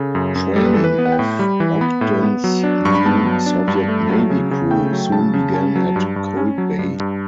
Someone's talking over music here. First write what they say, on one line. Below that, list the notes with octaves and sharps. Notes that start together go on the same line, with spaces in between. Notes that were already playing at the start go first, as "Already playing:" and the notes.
Training of "Ogden"s new Soviet Navy crew soon began at Cold Bay.
Already playing: C#3 A4
F#2
F#2
G3 A4
B4
E3 A4
B4
B3
F#5
G5
A2
G3 B5
E3
B3 B5
A2
B3
F#3
D4
G2 C#6
B5
B3 A5
F#3
D4
G2
A3
F#3
C#3
C#3
A3 G5
F#3
C#3 A5
C#3
C#4 A5
F#3
G2
G2
C#4
F#3
G2
G2